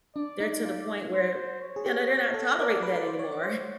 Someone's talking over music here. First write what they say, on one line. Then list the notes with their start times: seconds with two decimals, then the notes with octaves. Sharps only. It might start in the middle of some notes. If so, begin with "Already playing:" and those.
they're to the point where, you know, they're not tolerating that anymore.
0.16 D4 D5
0.40 D#4
0.65 F4
1.13 C5
1.62 C#5
1.76 G#4
1.86 G4
2.34 A4
2.58 A#4 D5
2.83 B4
2.96 B4
3.07 C5
3.19 C#5
3.31 C#5
3.43 C5